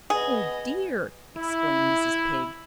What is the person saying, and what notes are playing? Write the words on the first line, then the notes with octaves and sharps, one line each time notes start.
"Oh dear!" exclaimed Mrs. Pig.
B3 G#4 D#5
E4